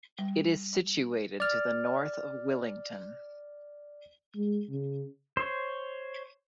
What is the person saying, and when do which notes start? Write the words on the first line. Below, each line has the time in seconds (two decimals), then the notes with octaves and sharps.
It is situated to the north of Willington.
0.19 G3
1.40 D5 F6
4.35 G#3
4.69 C#3
5.37 C5 C#5